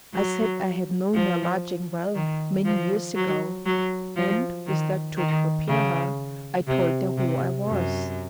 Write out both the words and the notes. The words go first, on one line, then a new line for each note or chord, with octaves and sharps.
I said I had known her lodgings well, many years ago--and, with that to prepare her, I told her who I was.
F#3
F3
D#3
F3
F#3
F#3
F3
D#3
D#3
C#3
C3
C3
F#2